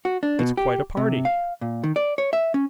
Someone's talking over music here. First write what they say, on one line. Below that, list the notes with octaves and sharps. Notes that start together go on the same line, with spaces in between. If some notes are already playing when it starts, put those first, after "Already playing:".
'It's quite a party!'
F#4
D4
B2
G4
C3
F5
A#2
D#3
D5
C#5
E5
C#4